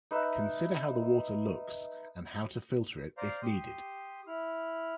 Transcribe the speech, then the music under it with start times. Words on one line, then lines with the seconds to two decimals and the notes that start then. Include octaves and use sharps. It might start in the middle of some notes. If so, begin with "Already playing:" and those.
Consider how the water looks and how to filter it if needed.
0.11 D#4 B4 E5
3.17 C5 D5 F5 A#5
3.43 G4 C6 D#6
4.27 E4 F6